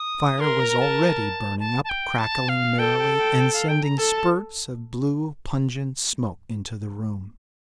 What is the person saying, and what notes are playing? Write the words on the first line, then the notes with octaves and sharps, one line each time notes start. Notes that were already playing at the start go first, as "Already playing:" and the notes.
The fire was already burning up, crackling merrily, and sending spurts of blue, pungent smoke into the room.
Already playing: D#6
A#4 C6
A#5
A5
A5
A5
G5
A5
F5
A4 G5
G5
G5
G5
F5
G5
A#5
A4 A5